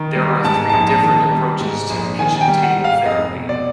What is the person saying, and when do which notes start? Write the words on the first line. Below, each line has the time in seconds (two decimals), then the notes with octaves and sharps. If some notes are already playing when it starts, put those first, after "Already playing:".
There are three different approaches to kitchen table therapy.
Already playing: D#3
0.15 G3
0.44 G#2 A5
0.69 A#1 A5
1.03 D#3
1.31 G3
1.61 G#2
1.90 A#1
2.19 D#3 G#5
2.41 G5
2.48 G3
2.62 F#5
2.77 G#2
2.84 F5
3.06 F1 D#5
3.35 B2
3.49 D5